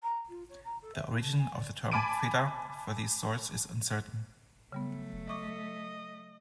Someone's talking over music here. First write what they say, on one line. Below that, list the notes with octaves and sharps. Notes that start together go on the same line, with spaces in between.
The origin of the term "Feder" for these swords is uncertain.
A#5
F4
C#5
A#5
A4
E5
E4
A5
G#5
D5
G#5 A5 B5 D6 D7 D#7
C#3 F#3 G3 A3 B3
D#5 E5 C#6 D6